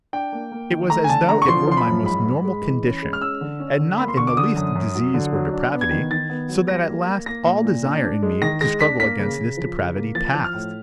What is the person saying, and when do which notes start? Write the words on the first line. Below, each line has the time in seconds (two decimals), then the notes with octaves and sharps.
It was as though it were my most normal condition, and not in the least disease or depravity, so that at last all desire in me to struggle against this depravity passed.
0.13 D4 G5
0.33 A#3
0.52 A#3
0.71 D#3
0.90 A3 A#5
1.04 G#5
1.09 D3 A5
1.28 D3 A#5
1.42 C#6
1.48 F3 C6
1.67 F3 C6
1.77 B5
1.86 F#2
2.06 G#2 B5
2.25 G#2
2.44 G#3
2.63 E3
2.83 C#4
3.02 G#3
3.13 F6
3.21 C#4 E6
3.41 D3
3.60 C#4
3.79 D3
3.97 A#3 B5
4.08 C6
4.17 D3 C#6
4.27 D6
4.37 D3 D#6
4.56 F#2
4.76 F#2
4.95 F#3
5.14 D3
5.33 F#3
5.53 D4
5.72 B3
5.81 G#6
5.91 D#3
6.11 D#3 A6
6.30 B3
6.49 F#3
6.68 G3 A#6
6.88 A#3
7.07 A#3
7.26 A#3 A#6
7.45 A#2
7.65 A#2
7.84 D4
8.04 D4
8.23 G#3
8.42 D#3 A#6
8.61 G#3 A#6
8.81 D4 B6
9.00 A#3 B6
9.19 C#3
9.38 C#3
9.57 F3
9.77 C#3
9.96 A#3
10.15 F3 A6
10.34 F3
10.44 F6
10.54 A2